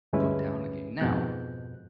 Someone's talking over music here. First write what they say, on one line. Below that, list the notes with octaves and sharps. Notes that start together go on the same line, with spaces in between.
put down a game. Now,
D2 G2 G#3 C#4 E4 B4
F2 G#2 B2 F#6 G6